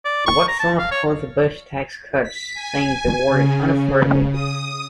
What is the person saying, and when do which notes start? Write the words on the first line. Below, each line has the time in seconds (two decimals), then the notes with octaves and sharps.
Watson opposed the Bush tax cuts, saying they were unaffordable.
0.05 D5
0.26 C#6
0.48 A#5
0.60 A5
0.78 F5
0.91 C#5
2.23 B6
2.54 G#5
3.28 C#3
4.32 D#6